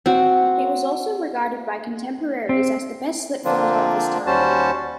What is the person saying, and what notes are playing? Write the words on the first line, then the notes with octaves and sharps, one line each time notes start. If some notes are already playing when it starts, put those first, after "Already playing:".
He was also regarded by contemporaries as the best slip fielder of his time.
C4 F#4
C4
D3 F3 A#3 C4 D4 F4
D#2 G3 C#4 F#4 C5 A5